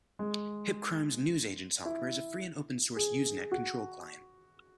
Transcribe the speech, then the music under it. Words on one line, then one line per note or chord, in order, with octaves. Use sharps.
HipCrime's Newsagent software is a free and open source Usenet control client.
G#3
E4
G#4
F#4